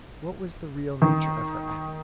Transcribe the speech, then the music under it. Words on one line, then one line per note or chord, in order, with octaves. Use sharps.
What was the real nature of her act?
D#3